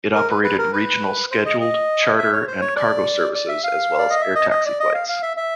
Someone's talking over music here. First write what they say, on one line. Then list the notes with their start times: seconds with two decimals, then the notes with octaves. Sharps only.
It operated regional scheduled, charter and cargo services, as well as air taxi flights.
0.15 A#4
0.30 B4
0.44 B4
0.58 A#4
0.73 B4
1.31 C5
1.46 D#5
1.61 D#5
2.18 E5
2.32 C#5
2.48 C5
2.61 C#5
2.76 D5
3.35 D5
3.49 E5
3.63 F5
3.99 D5
4.10 D#5
4.21 E5
4.35 D#5
4.51 D#5
4.65 D5
4.80 D#5
4.94 F5
5.08 F5
5.22 E5
5.37 E5